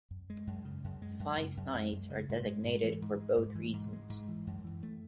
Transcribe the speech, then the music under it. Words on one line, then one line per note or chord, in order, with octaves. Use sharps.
Five sites are designated for both reasons.
F#2
G#3
F#2
C#3
F#2
G#3
F#2
C#3
F#2
G#3
F#2
C#3
G#2
G#3
G#2
E3
G#2
G#3
G#2
E3
G#2
G#3
G#2
E3
F#2
E3
A3